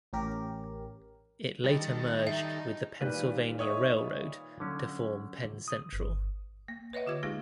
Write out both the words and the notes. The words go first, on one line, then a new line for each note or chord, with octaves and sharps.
It later merged with the Pennsylvania Railroad to form Penn Central.
A1 C#4 G4 A#4
D#3 G3 A4
D#4 E5
A#2 D#3 G3 G4 B4
C#5 D#5 E5 C#6 D#6
D3 F#3 C#4
D#6
G1
A#3
B4 C#5 D#5 E5 F#5
D3 F4 G4 G#6
G#3 A#3 D#4 G4 G#4